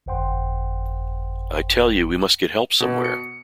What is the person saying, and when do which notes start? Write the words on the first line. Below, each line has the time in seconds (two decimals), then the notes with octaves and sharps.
I tell you we must get help somewhere.
0.06 G1 F2 C5 F#5 G5 C6
2.80 B2
3.04 C#7